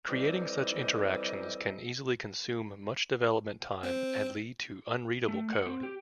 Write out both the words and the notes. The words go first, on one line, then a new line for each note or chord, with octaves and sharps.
Creating such interactions can easily consume much development time and lead to unreadable code.
F2 E3 G3 C4 G4 D#5
C4
A3
F#5
C4
G4